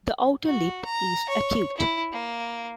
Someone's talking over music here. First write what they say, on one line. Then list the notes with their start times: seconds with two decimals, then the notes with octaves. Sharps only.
The outer lip is acute.
0.45 F#4
0.85 A#5
1.29 C#5
1.78 E4
2.12 A#3